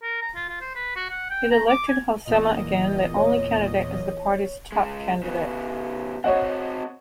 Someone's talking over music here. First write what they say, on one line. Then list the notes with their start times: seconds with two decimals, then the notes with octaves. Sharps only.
It elected Halsema, again the only candidate, as the party's top candidate.
0.03 A#4
0.22 A#5
0.35 F4
0.49 F4
0.61 C5
0.75 B4
0.96 F#4
1.10 F#5
1.30 G5
1.51 A#5
1.69 D6
1.88 G#5
2.25 E2 A#2 D#5
3.17 C#5
4.72 C#3 G#3
5.23 C#3 B3
6.24 C4 F#4 C#5 D#5 F#5